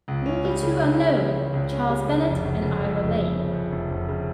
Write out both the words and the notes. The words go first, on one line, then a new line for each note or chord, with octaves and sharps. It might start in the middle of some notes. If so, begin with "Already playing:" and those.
Only two are known: Charles Bennett and Ira Lane.
C#2
C#4
G3
C#3
C#2
C#4
G3
C#3
C#2
C#4
G3
C#3
F1
F1
C#3
F2
F1
F1
C#3
F2
F1
F1
C#3